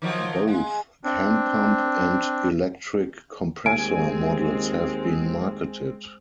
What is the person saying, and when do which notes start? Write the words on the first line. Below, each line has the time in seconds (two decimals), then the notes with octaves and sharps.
Both hand pump and electric compressor models have been marketed.
0.02 D#3 F3 F#3
0.47 G#3
1.04 C4 D4
3.66 D#2 G#3 C4 G#5 D7